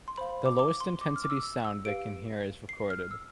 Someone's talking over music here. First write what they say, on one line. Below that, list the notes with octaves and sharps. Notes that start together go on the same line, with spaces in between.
The lowest intensity sound they can hear is recorded.
C6
C5 F5 B5
D6
D6
C6
D6
F6
D6
E6
E6
E6
G4 B4 F5 D7
C7
F6
E6